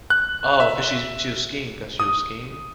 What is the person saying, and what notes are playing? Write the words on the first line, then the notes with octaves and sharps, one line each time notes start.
Oh, 'cause she's she was skiing 'cause she was skiing?
F#6
E5
D#6